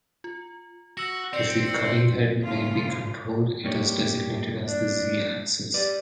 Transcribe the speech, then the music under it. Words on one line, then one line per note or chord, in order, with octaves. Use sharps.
If the cutting head may be controlled, it is designated as the Z-axis.
F4
F#4 E6 A#6 E7
C4 C5 D5 C6 G6 C7 C#7
E6 C#7
G2 A#2 C#3 F3 E4 F4
G2 A#3 G4 C#5
D4
G3 B4 D5